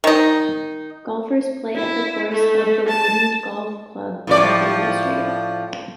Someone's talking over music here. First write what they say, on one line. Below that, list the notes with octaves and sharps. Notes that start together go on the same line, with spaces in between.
Golfers play at the course of the Woodend Golf Club on Davy Street.
D#3 D#4
E4
A3
A5
A2 F3 D5